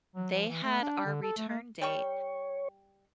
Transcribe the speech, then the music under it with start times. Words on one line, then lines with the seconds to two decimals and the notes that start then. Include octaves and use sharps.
they had our return date
0.16 F#3
0.32 F3
0.49 E3
0.63 A3
0.82 D4
1.06 D3
1.23 A4
1.37 A3
1.49 A#3
1.81 G3 C#5 G5 C#6